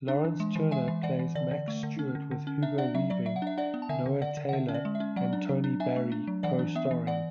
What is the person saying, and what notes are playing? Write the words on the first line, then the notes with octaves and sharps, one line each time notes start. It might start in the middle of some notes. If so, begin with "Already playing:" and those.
Lawrence Turner plays Max Stuart with Hugo Weaving, Noah Taylor and Tony Barry co-starring.
D4
E3
G#3
E3
G#3 E5 G#5
E3
E3 D5 F#5
E3
D3 D5
D3
A3
D3
C#4
D3
D3
C#4
D4 E5
D4 D5 F#5
F#3 E5
F#3 D5
F#3 E5
F#5
D4 E5
D4 D5 F#5
B3
A5
D3 E5 G#5
D3
D3 D5 F#5
D3
F#5
D3 E5
C#4
D5
G#3
E5
C#4
F#3 D5 F#5
D4
F#3
D4
D4 E5 G#5
A3
D4
F#3
E3 D5 F#5
D4
B3 E5
E3
E3 D5 F#5